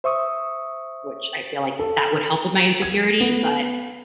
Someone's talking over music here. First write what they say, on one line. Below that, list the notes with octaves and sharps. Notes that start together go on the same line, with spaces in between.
which I feel, like, that would help with my insecurity, but
C5 E5 C#6 D#6
A4
G#6
B3